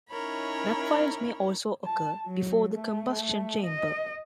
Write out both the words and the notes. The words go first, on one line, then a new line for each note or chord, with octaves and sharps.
Backfires may also occur before the combustion chamber.
C#4 D#4 E4 A#4 C#5 B5
A5
F#3
A3
D#5